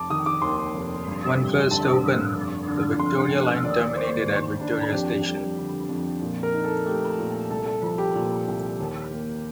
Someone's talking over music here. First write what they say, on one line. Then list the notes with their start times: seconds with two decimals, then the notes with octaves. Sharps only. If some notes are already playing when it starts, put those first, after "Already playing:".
When first opened, the Victoria line terminated at Victoria station.
Already playing: F1 A5 D6
0.10 D#3 D#6
0.26 D6
0.42 D#2 C6
0.74 F1
1.06 G2
1.39 G3
1.71 D3 A5
2.03 G2
2.35 F1
2.68 D3
3.00 F2 C6
3.31 A3
3.64 D#2 D5
3.96 A#3 C5
4.28 D#3
4.61 D4
4.92 F2 G4
5.25 G3
5.57 D3
5.89 F2
6.22 A#2
6.43 A#4
6.53 D#4
6.64 A4
6.86 A3 G4
7.19 A#2
7.50 C2 A4
7.66 A4
7.83 F3
7.98 G4
8.15 A#2
8.47 C2
8.79 D#2
9.11 A#3